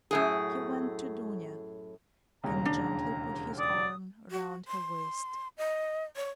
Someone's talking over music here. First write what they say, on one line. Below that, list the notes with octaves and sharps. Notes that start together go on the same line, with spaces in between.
He went to Dounia and gently put his arm round her waist.
F#2 A2 G#4
E1 D#2 C#3 A#5
D4
D5 D#6
F#4
C6
D#5
C#5